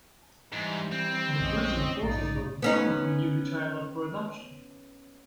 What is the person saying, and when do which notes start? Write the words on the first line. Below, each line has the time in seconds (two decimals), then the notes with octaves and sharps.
The prison forces her to permanently give the child up for adoption.
0.52 G#2 E3 G3
0.91 C4
1.40 A#1 F2 G#3 C#4 D#5
2.03 A#1 G#2 D#4 D5
2.62 B3 C#4 D#4